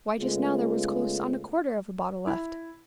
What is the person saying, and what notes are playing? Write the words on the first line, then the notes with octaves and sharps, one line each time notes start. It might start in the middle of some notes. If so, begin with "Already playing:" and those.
"Why just now there was close on a quarter of a bottle left."
C#3 G#3 A3 B3 F4
E4